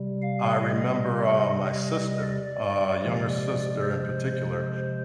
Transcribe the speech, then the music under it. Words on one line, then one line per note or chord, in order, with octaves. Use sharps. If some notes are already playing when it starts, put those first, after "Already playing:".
I remember, um, my sister- uh, younger sister in particular-
Already playing: C3 G3
F5
D#5
D5
C3 F3 G#3
C5